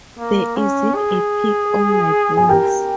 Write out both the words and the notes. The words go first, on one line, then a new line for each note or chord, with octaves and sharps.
There isn’t a pick on my bones.
A#3
C#4
G#4
G#5
G4 A#4 G5